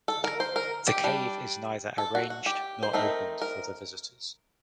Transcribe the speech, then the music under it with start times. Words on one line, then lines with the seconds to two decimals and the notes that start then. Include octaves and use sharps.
The cave is neither arranged nor opened for the visitors.
0.08 A4
0.24 A#4
0.40 C5
0.56 A#4
0.88 G4
1.04 G3 D4
1.98 A4
2.15 F#4
2.30 F#4
2.46 G4
2.83 C5
2.93 A3 C4 D#4 A#4
3.42 A#4